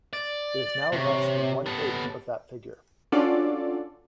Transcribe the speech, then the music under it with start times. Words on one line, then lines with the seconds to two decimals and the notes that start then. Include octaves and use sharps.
It is now less than one eighth of that figure.
0.13 D5
0.92 C3 G4 C#5 G5
1.66 B3 A4
3.12 C#4 D4 F4 F#4 A4 D5